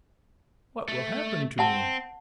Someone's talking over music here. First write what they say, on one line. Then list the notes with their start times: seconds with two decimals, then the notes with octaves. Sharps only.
What will happen to me?
0.88 A3
1.59 C4 F#5 A5